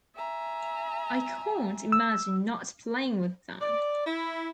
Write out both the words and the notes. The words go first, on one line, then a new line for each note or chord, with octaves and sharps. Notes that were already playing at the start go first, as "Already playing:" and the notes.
I can't imagine not playing with them.
E5 G#5 A#5
E6
D5
E4